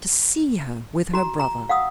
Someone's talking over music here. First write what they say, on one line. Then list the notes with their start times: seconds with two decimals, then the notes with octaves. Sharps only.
To see her with her brother!
1.14 F#4 A#5
1.40 A#5
1.69 F5 F#5 D#6 E6